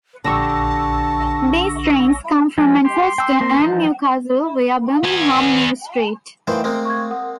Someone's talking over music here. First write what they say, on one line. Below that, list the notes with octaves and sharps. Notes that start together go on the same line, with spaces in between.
These trains come from Manchester and Newcastle via Birmingham New street.
A#1 D3 G4 A5 C#6 E6 A#6
F3 G#3 G#5
G4 C6
G5 E6
A#3 C4
E3 F3 D#4
B3 G#5
D#3 E3 A3 C5 F5 G5
G#3 A#3 C4
C#6 G#6
A#4 F#5 D#6